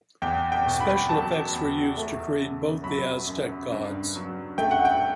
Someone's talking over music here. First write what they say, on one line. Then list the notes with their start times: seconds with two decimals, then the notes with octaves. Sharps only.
Special effects were used to create both the Aztec gods.
0.22 E2 G5
0.52 G5
0.66 B2
0.81 B5
1.09 F#3 A5
1.52 E2
1.97 A3
2.40 C#3
2.84 F#3 B5
3.27 F#2
3.72 G2
4.15 F#3
4.58 A3 G5
4.71 F#5
4.85 G5